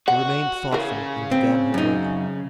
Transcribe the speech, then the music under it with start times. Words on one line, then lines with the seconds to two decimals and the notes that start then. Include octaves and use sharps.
She remained thoughtful, and began her work.
0.08 F#4 F#5
0.72 C#3 E3 A#4
1.31 C4
1.74 F#2 D#4